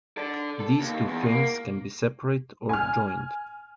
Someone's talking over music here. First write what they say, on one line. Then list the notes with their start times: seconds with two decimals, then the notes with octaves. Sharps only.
These two fins can be separate or joined.
0.17 A4 D5
0.60 A4
0.80 D#2
1.07 E2
1.26 A#3
2.69 G#5 F6